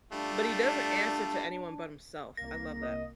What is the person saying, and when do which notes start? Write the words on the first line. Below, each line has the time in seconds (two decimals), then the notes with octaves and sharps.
but he doesn't answer to anyone but himself. I love that.
0.12 G3 A3 D4 F4
2.37 C2 A#3 A#6
2.82 D#5